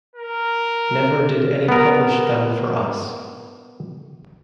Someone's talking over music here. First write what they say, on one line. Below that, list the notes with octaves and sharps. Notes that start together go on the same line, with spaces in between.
Never did any publish them for us.
A#4
B3 A#4